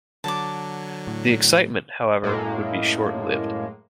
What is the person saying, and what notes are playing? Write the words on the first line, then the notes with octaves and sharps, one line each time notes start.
The excitement, however, would be short-lived.
D3 F#3 A5 D6
A2
F#2 A2 G#3 A#3